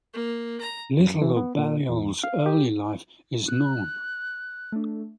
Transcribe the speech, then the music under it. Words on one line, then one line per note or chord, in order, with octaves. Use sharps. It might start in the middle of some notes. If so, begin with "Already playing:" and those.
Little of Balliol's early life is known.
A#3
A#5
F#2
E3
B3
A#2
E2
F5
G4
F#6
A3 D4